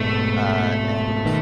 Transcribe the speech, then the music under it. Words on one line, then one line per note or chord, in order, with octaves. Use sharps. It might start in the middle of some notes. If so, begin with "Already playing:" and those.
uh, and
Already playing: G#2 B2 A3
B2 D#3